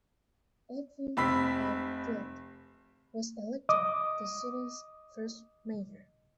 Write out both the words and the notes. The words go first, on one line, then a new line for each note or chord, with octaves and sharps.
Edwin L. Dirck was elected the city's first mayor.
F1 C4 B5 E6 B6
D#5 D6 D#6